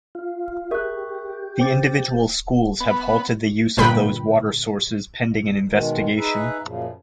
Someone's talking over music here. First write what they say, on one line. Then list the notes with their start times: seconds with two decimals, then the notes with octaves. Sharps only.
The individual schools have halted the use of those water sources pending an investigation.
0.15 F4
0.71 G4 G#4 A#4 E5 C#6 F#6
1.60 C5 G5 D6 A6
2.80 B3
3.77 G1 A#2 B4 G5 B5
5.69 B2 D#3 G#3
6.17 D#4 G#4 B4 E5
6.62 F#2 A#2 C#3 F3